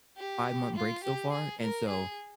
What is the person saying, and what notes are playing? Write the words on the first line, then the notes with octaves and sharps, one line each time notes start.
five-month break so far, and so
G4
F4
G4
G#4
A#4
G#4